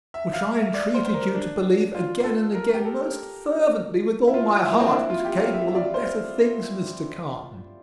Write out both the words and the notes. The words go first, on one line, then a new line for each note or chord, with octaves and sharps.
"Which I entreated you to believe, again and again, most fervently, with all my heart, was capable of better things, Mr. Carton!"
E5
F5
E5
D5
C5
C5
A#4
D4
F4
A4
A#4
G4
A4
E4
F4
E4
A#3
C4
D4
E4
F4
G4
F5
E5
E5
D5
C5